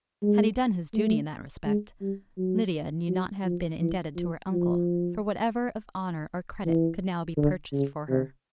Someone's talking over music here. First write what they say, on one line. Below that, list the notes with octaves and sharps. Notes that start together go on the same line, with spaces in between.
Had he done his duty in that respect, Lydia need not have been indebted to her uncle for whatever of honour or credit could now be purchased for her.
G#3
A3
G#3
G3
F#3
F#3
F3
E3
F3
F3
E3
D3
C#3
C3